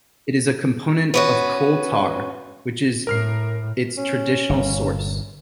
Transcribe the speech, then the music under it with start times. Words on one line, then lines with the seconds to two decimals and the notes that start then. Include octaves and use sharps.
It is a component of coal tar, which is its traditional source.
1.14 B3 C#4 F#4
3.07 A2 A#4 F6 C7
3.98 C#4
4.49 G1 A#2